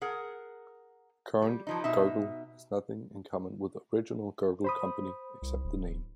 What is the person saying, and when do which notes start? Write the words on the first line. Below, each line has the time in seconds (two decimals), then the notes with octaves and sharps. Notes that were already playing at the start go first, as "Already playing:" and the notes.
The current Gurgel has nothing in common with original Gurgel company, except the name.
0.02 G#4 A#4 F#5
1.42 G3
1.67 E3 F3 D#4
1.84 B2 D#4 E5
4.64 C5 B5 D#6
5.42 C2
5.64 D1